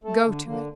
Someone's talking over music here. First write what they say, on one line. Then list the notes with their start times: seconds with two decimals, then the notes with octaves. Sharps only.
"Go to it."
0.04 A3 A4
0.25 D3
0.45 D3 A#3